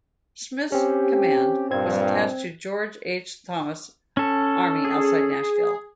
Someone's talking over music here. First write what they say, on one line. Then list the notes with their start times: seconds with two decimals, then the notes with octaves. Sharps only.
Smith's command was attached to George H. Thomas' army outside Nashville.
0.72 C4 C#4 G4
1.71 G2 A#2 C4 G#6
4.17 C#4 A4
4.84 G#4